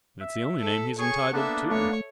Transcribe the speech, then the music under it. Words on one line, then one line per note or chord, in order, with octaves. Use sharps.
It's the only name he is entitled to.
E5
A4
G#4 C#5 G#5 C#6
A#3 B3 D4 A4 E5
A3 C#5